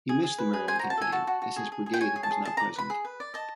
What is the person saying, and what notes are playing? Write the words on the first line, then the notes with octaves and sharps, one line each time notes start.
He missed the Maryland Campaign as his brigade was not present.
G#4
G#4
B4
G#4
C5 G#5
F#4 A#5
A5
A4 G#5
F#4 A5
F#4
F#4
G#4
G#4
G#4
G5
C#5 G#5
G#4
A5
G#4
G#4 A5
D5 A#5
B4 B5
G#4
B4
D5
D#5 A5